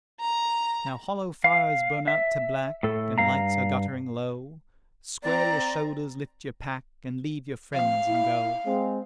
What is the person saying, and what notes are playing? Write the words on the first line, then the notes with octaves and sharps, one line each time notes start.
Now hollow fires burn out to black, And lights are guttering low: Square your shoulders, lift your pack, And leave your friends and go.
A#5
F5
E5
A2 A4
G2 F5 A#5
C4 D5 A#5
F3 C4 F5
E4
G#3 C4